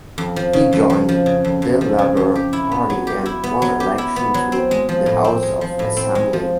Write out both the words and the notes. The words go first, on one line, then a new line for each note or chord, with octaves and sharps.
He joined the Labour Party and won election to the House of Assembly.
F2
F3
C#3
F2
F2
F3
C#3
F2
F2
F3
C#3
F2
G4
E4
B3
F#3
G4
E4
B3
F#3
G4
E4
B3
F#3
C4
G#3
F3
A2
C4
G#3
F3
A2
C4
G#3
F3